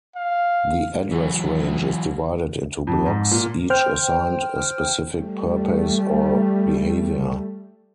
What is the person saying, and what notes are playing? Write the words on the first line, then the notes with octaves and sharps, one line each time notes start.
The address range is divided into blocks each assigned a specific purpose or behavior.
F5
E3 F#3
F2
G#2
A#2
C5 G5 F6
G3 A3